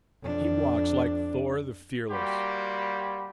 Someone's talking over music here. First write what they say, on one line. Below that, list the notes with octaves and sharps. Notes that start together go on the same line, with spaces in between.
"He walks like Thor the Fearless."
F2 D4
G3 A#3 F#4 G4 B5 C6